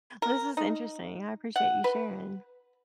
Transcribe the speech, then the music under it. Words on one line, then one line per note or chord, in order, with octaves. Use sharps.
this is interesting. I appreciate you sharing.
A#4
D#4
F#5
B4